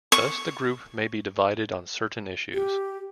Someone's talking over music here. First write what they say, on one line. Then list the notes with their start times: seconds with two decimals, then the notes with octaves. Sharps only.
Thus, the Group may be divided on certain issues.
0.12 C#6
2.54 G4